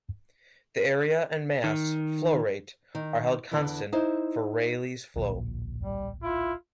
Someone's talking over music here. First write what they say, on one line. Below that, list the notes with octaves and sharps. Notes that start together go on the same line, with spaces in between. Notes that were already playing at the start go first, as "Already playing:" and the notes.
The area and mass flow rate are held constant for Rayleigh flow.
D#3
D#3
E2 A#2 D3 E3
D#4 E4 C5
D1 A#1 A#2
G3
E4 F4